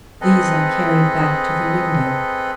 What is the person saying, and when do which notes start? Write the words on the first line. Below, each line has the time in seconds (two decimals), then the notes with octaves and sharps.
These I carried back to the window.
0.21 C4 G#4 A4 B4 D#5